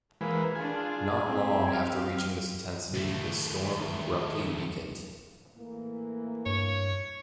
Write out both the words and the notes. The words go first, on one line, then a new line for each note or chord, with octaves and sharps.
Not long after reaching this intensity, the storm abruptly weakened.
E3 G#3 A#3 B4
D4 F4 G#4
C4 G4
F5
D#2 A2 C#3 A3
A2 E3 A#3
G2 C#5